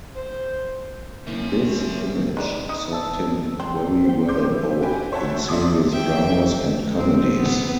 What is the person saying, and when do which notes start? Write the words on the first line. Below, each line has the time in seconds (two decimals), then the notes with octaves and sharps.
This image served him very well both in serious dramas and comedies.
0.15 C5
1.27 C#3 F#3 A#3 C4 C#4 E4 A#4 E5
2.37 D#4 B4 D5
2.69 D#4 D#6
2.92 A5 E6
3.60 C4 G5
4.05 C5 G5
4.28 C6 D6 G6
4.52 E4
4.81 F#4 G4 G5 G#5 B5
5.12 C5 C#5 E5 F#5 A5
5.48 D5 E5 C6 D6 D#6
5.91 E5 G5
6.96 C4
7.37 B3